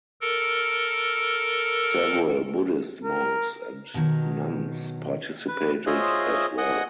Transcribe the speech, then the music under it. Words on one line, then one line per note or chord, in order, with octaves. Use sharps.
Several Buddhist monks and nuns participated as well.
A4 A#4
A#4
B2 D3 D#3 F#3
B4
F4 G#4 C5 C#5 D#5 E5
D#5 F#5 G#5 D#6